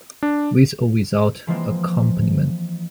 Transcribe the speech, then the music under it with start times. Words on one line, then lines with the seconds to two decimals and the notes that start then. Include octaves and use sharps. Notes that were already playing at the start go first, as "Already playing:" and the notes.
With or without accompaniment.
0.23 D4
1.47 E3 F3 G#3 A#3 C4 F4